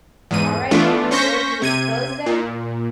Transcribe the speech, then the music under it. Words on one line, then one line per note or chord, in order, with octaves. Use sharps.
All right, like, "Lord, you expose them,
E2 G#2 D#7
E3 A3 B3 D4 F4
C#4 C5 C#6 G6 A#6 B6
C3 G#6 D#7
A#2